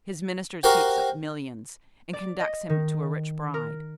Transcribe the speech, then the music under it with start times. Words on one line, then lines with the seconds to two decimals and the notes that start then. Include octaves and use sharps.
His minister heaps up millions, and conducts him to a rich bride.
0.63 F#4 G4 A#4 C5 F#5 G5
2.13 D5
2.40 D#5
2.69 D#3
3.54 A#4